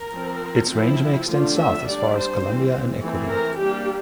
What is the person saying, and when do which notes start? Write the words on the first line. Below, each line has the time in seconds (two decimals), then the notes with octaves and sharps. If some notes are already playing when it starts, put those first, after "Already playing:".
Its range may extend south as far as Colombia and Ecuador.
Already playing: A#4
0.11 F3 C4
0.69 F3 C4 E4
1.26 D3 F3 A3 D4 F4
1.57 E5
1.85 G3 D4 D5
2.14 C5
2.43 E3 G3 C4
3.01 E3 A3 C4
3.30 A#4
3.58 G3 A#3 D4 G4